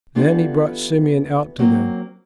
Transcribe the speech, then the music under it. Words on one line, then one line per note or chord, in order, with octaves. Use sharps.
Then he brought Simeon out to them.
E3 B3 D4 F4 G4 A4
F#3 A#3 C4 C#4